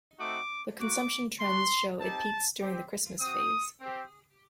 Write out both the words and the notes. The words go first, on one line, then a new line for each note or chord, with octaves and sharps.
The consumption trends show it peaks during the Christmas phase.
A3 C4 D#4 F#4 D6
A#3 F#4 D6
G3 D4 F#4 C6
C4 D#4 G4 A5
C4 G4
C4 F#4 D#6
C4 G4